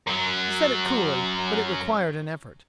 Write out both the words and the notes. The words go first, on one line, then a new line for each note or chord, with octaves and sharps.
He said it coolly but it required an effort.
F#2 F#3